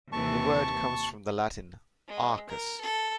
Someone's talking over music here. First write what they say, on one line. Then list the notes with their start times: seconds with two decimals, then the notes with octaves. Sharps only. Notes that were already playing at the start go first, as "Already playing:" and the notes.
The word comes from the Latin "arcus".
0.12 D#2 C3 E3 A5 C#6
2.08 G#3
2.49 A#4
2.81 A4